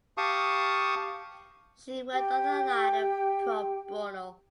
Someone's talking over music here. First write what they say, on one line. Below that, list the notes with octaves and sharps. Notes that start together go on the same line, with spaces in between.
She worked on the latter pro bono.
G4 F5 A5 C#6 D#6
G4 G5